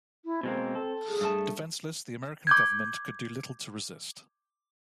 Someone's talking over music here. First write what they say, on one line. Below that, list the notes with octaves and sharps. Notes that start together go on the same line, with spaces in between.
Defenseless, the American government could do little to resist.
E4
B2 G#3 A#3 C4
A4
G#4
G2 A3 A5
D6 G6 G#6